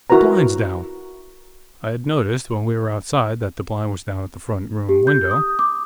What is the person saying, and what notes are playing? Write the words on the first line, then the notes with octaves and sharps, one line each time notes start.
'The blind's down!' I had noticed, when we were outside, that the blind was down at the front room window.
E4 F#4 A#4 B4 A#5
G4
G6
D#6
D6